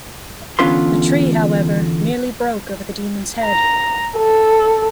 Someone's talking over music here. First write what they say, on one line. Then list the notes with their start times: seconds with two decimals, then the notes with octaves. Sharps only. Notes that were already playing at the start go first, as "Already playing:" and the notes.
The tree, however, merely broke over the demon's head.
0.59 E2 D3 C#4 F4 B4 C6
3.43 A#5
4.17 A4